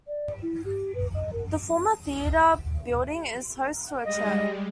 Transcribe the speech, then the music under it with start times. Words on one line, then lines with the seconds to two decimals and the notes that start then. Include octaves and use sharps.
The former theater building is host to a church.
0.07 D5
0.42 E4
0.65 G4
0.95 B4
1.14 D#5
1.33 A#4
4.05 G3 G#3 D#5